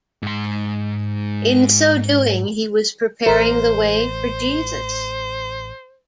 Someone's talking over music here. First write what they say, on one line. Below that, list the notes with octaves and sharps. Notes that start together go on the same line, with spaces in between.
In so doing he was preparing the way for Jesus.
G#2 C6
A1 E3 A3 A#4 C5